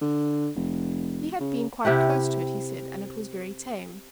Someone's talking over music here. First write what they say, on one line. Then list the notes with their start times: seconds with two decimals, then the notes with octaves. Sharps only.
He had been quite close to it, he said, and it was very tame.
0.02 D3
0.56 F1
1.40 C#3
1.85 C3 E4 G4 F#5